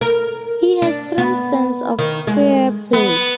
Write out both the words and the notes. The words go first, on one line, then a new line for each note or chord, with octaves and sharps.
He has strong sense of fair play.
A#4
D4
B3
D#3
G#3
B3